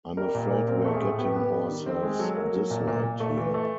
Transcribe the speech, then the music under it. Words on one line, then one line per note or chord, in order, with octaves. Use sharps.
I'm afraid we're getting ourselves disliked here.
G3 A#4
A#2
A#2
C4 A#4
A3
G#4
A2
B3 G4
B3
G3
D#3
C4
G#3
F#3 A4
A#3
F#3
A#2
A#2
A#2
A3
E3
A3